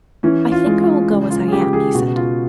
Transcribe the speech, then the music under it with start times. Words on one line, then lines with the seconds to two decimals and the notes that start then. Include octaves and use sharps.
"I think I will go as I am," he said.
0.23 E3 C#4
0.52 F4
0.66 G#3
0.80 F4
1.09 C#3
1.30 F4
1.48 G#4
1.52 C#3 G4
1.73 G#4
1.95 B2 F#4
2.16 F4